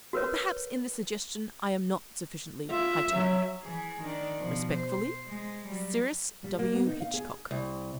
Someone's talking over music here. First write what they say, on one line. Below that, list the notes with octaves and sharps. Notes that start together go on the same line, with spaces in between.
But, perhaps in this suggestion I am not sufficiently high-toned.--Respectfully, CYRUS W. HITCHCOCK.
F#4 A#4 B4 C#5
F4 E5
F#3
E3 G#4
D#3 D4
B2 F3
C5
G#3
F#3 G3
G3
A#3
B3
D#4
F5
G#4
C2